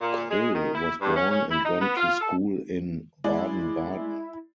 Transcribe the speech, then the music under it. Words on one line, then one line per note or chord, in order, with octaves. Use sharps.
Krull was born and went to school in Baden-Baden.
A#2
G#3
D#3
E4
G2
C#4
C#4
E4
D#4
B3
F4
A4
G#3 E4 D5